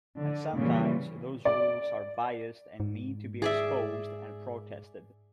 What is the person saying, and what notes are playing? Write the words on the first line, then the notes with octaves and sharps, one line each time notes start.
And sometimes those rules are biased and need to be exposed and protested.
D3
A#2 C#3 E3 G3
D5
G#2
G#4 D5 E5